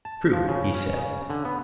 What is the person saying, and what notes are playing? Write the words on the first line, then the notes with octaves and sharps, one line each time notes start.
True, he said.
A5
F3
C#3
C#4
C#3
D3
B3